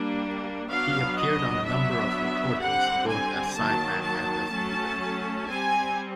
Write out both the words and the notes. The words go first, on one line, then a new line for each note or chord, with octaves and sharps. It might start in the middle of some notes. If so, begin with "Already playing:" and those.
He appeared on a number of recordings, both as side-man and as leader.
Already playing: G3 A#3 D4
F#3 B3 D4 F5
D#5
F#3 B3 D4 E5
D3 G3 C4 F#5
G#5
D#3 F#3 A#3 A5
A5
F#3 A3 C#4
G3 C4 G#5